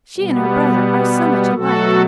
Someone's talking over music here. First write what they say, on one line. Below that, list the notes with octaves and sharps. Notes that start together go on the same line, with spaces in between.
She and her brother are so much alike!
B2 G3 B3
B2 F#3 A3 F#4 A4